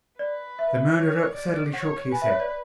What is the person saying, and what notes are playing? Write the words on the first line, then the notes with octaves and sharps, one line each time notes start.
The murderer sadly shook his head.
B4 D5
E5
C#5
D5
C#5 F#5
B4 G#5
E5
C#5
D5